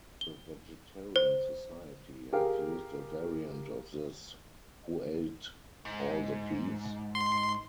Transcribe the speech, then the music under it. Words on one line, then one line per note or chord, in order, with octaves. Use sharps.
The Vegetarian Society have used a variant of this, Who ate all the peas?
G7
C5
G4 G#4 A#4 F5
G#2
C6